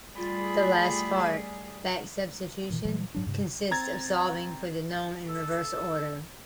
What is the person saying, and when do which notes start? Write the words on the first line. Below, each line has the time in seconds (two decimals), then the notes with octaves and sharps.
The last part, back-substitution, consists of solving for the known in reverse order.
0.17 G3 A3 F4 G#4 B5
2.70 A#2 D#3 E3
2.85 A#2 E3 F#3 G3
3.15 G#2 F#3 D4
3.27 G2 C3
3.71 C4 A#5 G#6 A6
5.29 A4